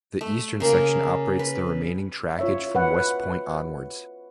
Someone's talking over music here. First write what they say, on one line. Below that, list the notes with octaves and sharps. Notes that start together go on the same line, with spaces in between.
The eastern section operates the remaining trackage from West Point onwards.
A3
C#3 A#3 G#4 A#4
B4
F4 C#5 E5
B4 F#5